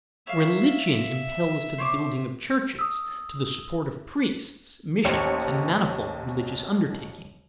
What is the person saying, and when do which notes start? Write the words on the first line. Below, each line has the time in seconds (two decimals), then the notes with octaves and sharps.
Religion impels to the building of churches, to the support of priests, missions, and manifold religious undertakings.
0.27 C#5 E5 F5
1.78 C5 C#5 D6
2.79 D#6 E6
5.04 A1 D#2 C5 C#5 C#7